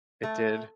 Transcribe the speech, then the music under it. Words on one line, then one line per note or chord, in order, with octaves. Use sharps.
It did?
A3